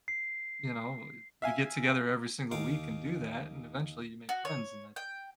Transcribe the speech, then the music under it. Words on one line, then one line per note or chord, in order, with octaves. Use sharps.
you know, you get together every single week and do that, and eventually you make friends, and that's
C7
E5 F5 G#5
D#2 F5 D6
F#4
C#5
G5